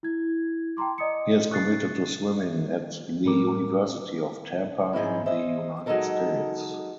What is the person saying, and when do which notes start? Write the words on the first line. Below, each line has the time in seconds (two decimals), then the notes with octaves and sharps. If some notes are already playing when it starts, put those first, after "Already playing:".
He has committed to swimming at the University of Tampa in the United States.
0.03 E4 G#6
0.77 G5 A5 A#5 C6 D6
0.98 D5 D#5 D#6 C#7
1.51 C#6 F#6 A6 C7
3.25 A2 G3 A#4 D6
4.93 G#2 G#3 C#4 E4
5.26 C5 D#5 E5
5.86 F#3 G#3 B3 D#4 A4 A#4